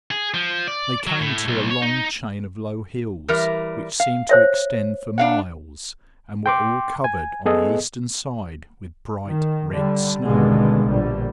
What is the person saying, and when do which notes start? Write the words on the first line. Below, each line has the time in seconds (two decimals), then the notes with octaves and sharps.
They came to a long chain of low hills which seemed to extend for miles, and were all covered on the eastern side with bright red snow.
0.11 G#4
0.34 F3
0.67 D5
1.07 F#3
1.21 A2
1.48 B1
1.71 C#5
1.82 D#4
3.28 E3 G3 A#4
4.00 F5
4.29 C5 C#5 E5
5.18 D4 F5 F#5
6.46 G5 C6 D6
7.04 G#5
7.46 B3 G#4 A4 D#5
9.28 D#3
9.71 D3 G3
10.24 G#1 G2 B2 D3 G#3
10.87 A#1 D3 G3